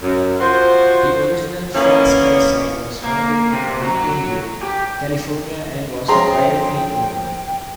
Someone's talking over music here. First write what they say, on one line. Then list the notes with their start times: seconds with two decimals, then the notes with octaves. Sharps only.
The original Friendster site was founded in Mountain View, California and was privately owned.
0.02 F#2
0.40 F3 F#4 C5
1.75 E3 A#3 B3 C#4
3.04 A#3
3.52 C3
3.82 F#4 A#5
4.63 G4
6.08 F#2 F3 G#4 G5 A#5 C6